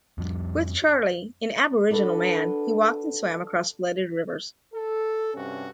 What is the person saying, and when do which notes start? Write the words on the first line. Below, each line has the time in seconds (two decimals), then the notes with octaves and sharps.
With Charlie, an Aboriginal man, he walked and swam across flooded rivers.
0.18 F2 F3 G3
1.90 D4 F#4 A4 B4
4.74 A4
5.34 G2 C3 C#4 F#4